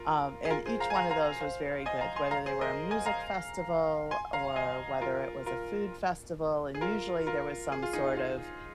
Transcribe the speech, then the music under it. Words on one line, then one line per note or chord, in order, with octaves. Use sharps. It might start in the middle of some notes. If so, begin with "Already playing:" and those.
Um, and each one of those was very good, whether they were a music festival or whether it was a food festival. And usually there was some sort of
Already playing: F4 A#4
G#4
F4 A#4
G#4 C5
F5 A#5
G#5
F5 A#5
F5 A#5
C5 F5
D#5 G#5
F5 A#5
G#5 C6
F5 A#5
G#4 C5
A#4 D#5
D#5 G#5
F5 A#5
G#5 C6
F5 A#5
D#5 G#5
F4 A#4
F4 A#4
G#4
F4 A#4
F4 A#4
G#4
F4
D#4 G#4
F4